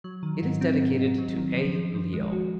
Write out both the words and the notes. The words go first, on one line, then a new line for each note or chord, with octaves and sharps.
It is dedicated to A. Leo.
F#3
D#3
G#2
C4
G#2
G#2
F#3
D#3
F3
F3
F3
G#3
F#4